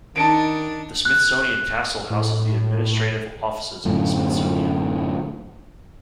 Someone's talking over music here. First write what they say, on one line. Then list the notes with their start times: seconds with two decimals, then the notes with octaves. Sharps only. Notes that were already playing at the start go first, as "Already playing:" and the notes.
The Smithsonian Castle houses the administrative offices of the Smithsonian.
0.16 D#3 D4 D#4 A5 C#7 D7
1.05 F#6
2.10 A2
3.85 F#2 A2 D3